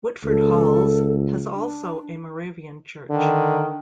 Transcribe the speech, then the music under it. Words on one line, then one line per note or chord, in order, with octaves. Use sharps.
Woodford Halse has also a Moravian Church.
C#2 A4
D4
D3 D#3